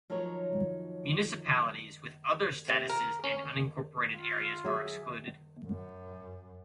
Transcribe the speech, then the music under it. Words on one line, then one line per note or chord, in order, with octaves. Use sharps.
Municipalities with other statuses and unincorporated areas are excluded.
F3 F#3 D#4 A#4 C#5
C3
A#4
C#4
F4
F#3 G#4 E5
F#2